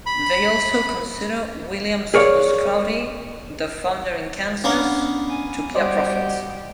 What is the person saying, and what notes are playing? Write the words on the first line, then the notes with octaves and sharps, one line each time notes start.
They also consider William Saunders Crowdy, their founder in Kansas, to be a prophet.
B5
G#4 A#4 C#5 D5 F5
A#3 B3 C#4 D4
G#5
G3 F#4 G4 C5 D5 D#5